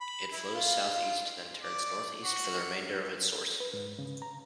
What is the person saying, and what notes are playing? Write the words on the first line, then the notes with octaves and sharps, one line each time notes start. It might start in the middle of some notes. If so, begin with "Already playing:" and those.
It flows southeast, then turns northeast for the remainder of its source.
B5
E4
F4
D5
F#4
B4
G#2
C#3
A#5